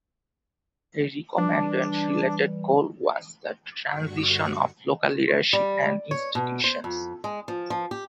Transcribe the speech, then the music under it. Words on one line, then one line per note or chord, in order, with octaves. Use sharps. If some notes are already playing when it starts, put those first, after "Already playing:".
A recommended related goal was the transition of local leadership and institutions.
E3 G3 D4
G2 D3 F#4 C#6
G3
C#5
B2
C5
F2
G#3
F3
F3
G4